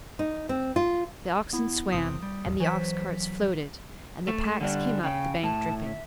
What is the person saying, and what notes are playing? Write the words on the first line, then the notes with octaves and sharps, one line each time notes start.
The oxen swam and the ox-carts floated and the packs came up the bank dripping.
D#4
C4
F4
B3 E4
F#1 C3 D#6
G3
A1 D#2 A#2
E3 F#3 C5 B6
A3
D3 G3 D4
C#3 G5
A2 A5
E5